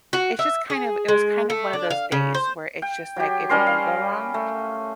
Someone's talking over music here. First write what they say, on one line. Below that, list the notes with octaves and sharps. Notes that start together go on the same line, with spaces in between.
it's just kind of it was kind of one of those days where it's just like, if it can go wrong,
F#4
E5
G#4
G#3
A3
D4
F5
C#3
C5
G5
F#3 G4
G3 C#4 A#4 C6
F5
A3